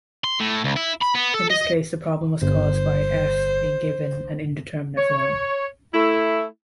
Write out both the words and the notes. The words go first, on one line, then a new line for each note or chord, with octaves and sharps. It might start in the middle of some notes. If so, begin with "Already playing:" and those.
In this case the problem was caused by "f" being given an indeterminate form.
C6
A2
C#2
E4
B5
B3
A4
D#5
G1 C5
C#5
A3 E4